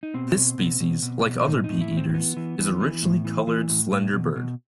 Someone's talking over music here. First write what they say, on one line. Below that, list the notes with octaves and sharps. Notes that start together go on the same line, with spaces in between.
This species, like other bee-eaters, is a richly-coloured, slender bird.
D#4
B2 C4
B2
B2
B2
B2
B2
A2 D#4
A2 D#4
E4
A2
C4
C4
E3 B3
E3
E3
E3
A2
E3
E3
A2
A2
B2
B2